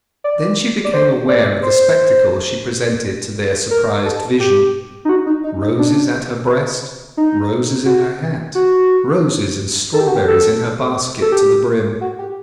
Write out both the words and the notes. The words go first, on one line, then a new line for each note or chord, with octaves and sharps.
Then she became aware of the spectacle she presented to their surprised vision: roses at her breasts; roses in her hat; roses and strawberries in her basket to the brim.
D5
D5
C5
D5
C5
A#4
A4
G4
D#4
F#4
D#4
D#4
D#4
D4
D#4
F#4
F#4
A4
G4
F#4
G4
A4
A4
G4
F#4
G4